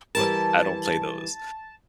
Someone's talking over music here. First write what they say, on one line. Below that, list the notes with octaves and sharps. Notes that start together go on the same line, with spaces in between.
but I don't play those,
E3 G3 A#4 A5